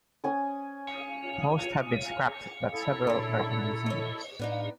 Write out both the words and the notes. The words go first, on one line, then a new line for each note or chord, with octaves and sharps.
Most have been scrapped, but several are in museums.
C#4 G#5 D#6
E4 A4
A#2 C#3 D4
C#5 D#5
A2 B3 D4 D#4